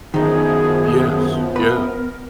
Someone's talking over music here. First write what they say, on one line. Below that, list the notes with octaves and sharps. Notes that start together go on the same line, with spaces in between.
Yes. Yeah.
F#2 D#3 F3 B3 D#4 G#4
A#4 B4